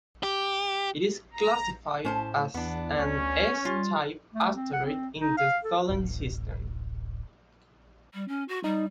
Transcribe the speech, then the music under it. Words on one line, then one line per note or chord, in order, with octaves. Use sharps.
It is classified as an S-type asteroid in the Tholen system.
G4
A#5
A2 C#4 C5 A5
E2 B3 D4
D2 C#4
G3 F4
A3
C4
F#5
C4
D#4
F5
A4
D1 A1
G3
C#4
F#4
G3 D#4